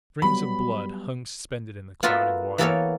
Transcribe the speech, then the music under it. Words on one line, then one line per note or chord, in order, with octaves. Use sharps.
Strings of blood hung suspended in the clouding water.
F#3 G3 B3 B5
B3 F4 F#4 A4 A#4 E5
E3 A#3 B3 A4 A#4 C#5